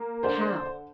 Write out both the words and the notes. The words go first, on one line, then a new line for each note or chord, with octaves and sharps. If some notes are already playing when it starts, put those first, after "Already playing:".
But how?
Already playing: A#3
D3 C5 D5